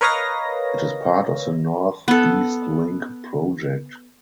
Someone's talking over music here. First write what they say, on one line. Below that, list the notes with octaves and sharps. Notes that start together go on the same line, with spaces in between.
It is part of the North East Link project.
A#4 B4 C#5 D#5 F5 A#6
B3 A4